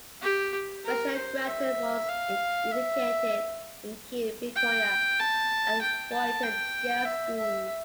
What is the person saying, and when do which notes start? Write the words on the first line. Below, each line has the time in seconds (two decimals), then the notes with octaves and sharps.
Michelle Grattan was educated in Kew, Victoria at Ruyton Girls' School.
0.22 G4
0.85 A#4
1.16 C5
1.47 E5
2.09 F5
2.71 E5
4.56 G5
5.19 A5
5.82 G5
6.13 A5
6.43 G5
7.05 E5
7.37 E5